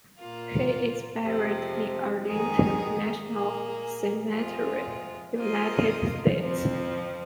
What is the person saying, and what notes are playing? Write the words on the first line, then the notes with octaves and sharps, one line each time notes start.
He is buried in Arlington National Cemetery, United States.
A#2 A#3 F4
F2 C3 F3
F2 D#3 G#3 D#4 G#4
A#2 A#3 G#4
F2 C3 G#3 F4
F3 A#3 F4 C5 D#5
F2 F3 C4